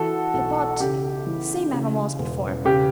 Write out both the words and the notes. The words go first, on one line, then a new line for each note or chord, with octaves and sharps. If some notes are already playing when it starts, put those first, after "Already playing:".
Hippot--same animal as before.
Already playing: E3 F#4 A4
B1
C#3 G4
E3
C#3
E1
C#3 G4